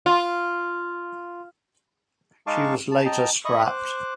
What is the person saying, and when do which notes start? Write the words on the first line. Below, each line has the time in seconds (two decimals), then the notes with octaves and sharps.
She was later scrapped.
0.06 F4
2.47 G#3 D#4 F5 A5 C#6 D6
2.91 A5
3.05 D#5 G5 A5 A#5
3.45 D#5 E5 B5 C#6 D#6
3.66 C5 D6 F#6